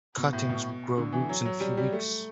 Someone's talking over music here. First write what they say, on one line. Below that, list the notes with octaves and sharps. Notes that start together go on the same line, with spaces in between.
Cuttings will grow roots in a few weeks.
B2
A2
B2
D3
E3
F#3
F#3
G3
G3
A3